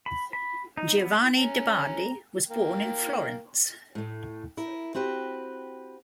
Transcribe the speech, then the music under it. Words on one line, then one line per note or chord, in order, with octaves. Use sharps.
Giovanni de' Bardi was born in Florence.
B5
B5
D#4
B3
C#4 A#5
A#3 G5
A2 A3
E4 A#4
C4 F#4 G4 B4